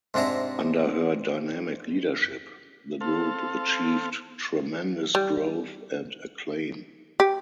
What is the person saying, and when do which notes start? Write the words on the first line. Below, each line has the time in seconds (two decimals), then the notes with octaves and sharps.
Under her dynamic leadership, the group achieved tremendous growth and acclaim.
0.14 G#2 C3 D4 E4 A#5
3.01 C4 A4 F5
5.15 G3
7.20 G4